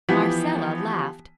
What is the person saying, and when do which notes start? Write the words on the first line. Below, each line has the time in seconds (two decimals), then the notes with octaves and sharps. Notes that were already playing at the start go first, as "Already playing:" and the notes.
Marcella laughed.
0.09 E3 F3 B3 G4 B6